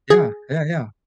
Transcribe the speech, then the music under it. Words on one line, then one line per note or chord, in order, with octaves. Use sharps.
Yeah. Yeah, yeah.
G#4